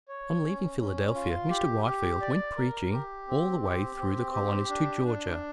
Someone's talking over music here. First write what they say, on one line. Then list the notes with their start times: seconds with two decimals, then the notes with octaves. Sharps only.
On leaving Philadelphia, Mr. Whitefield went preaching all the way through the colonies to Georgia.
0.08 C#5
0.44 C#4
0.79 C#4
1.15 F4
1.50 G4
1.85 G4
2.21 D5
2.57 A#4
2.92 G4
3.28 C4
3.63 G4
3.99 C4
4.33 G4
4.70 D4
5.05 D4